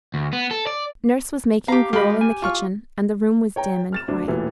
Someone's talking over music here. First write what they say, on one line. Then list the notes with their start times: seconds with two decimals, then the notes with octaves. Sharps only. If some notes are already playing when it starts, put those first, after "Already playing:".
Nurse was making gruel in the kitchen, and the room was dim and quiet.
0.14 D2
0.33 B3
0.51 A4
0.67 D5
1.68 G4 F5 A#5
1.93 G#3 F#4 G4 D#5 F5 B5
2.21 G#5
2.42 F4 C#6 F6
3.56 C#5 G5 A#5
3.92 F6 A6 E7
4.08 D2 D4
4.28 E1 A#2 E3 A3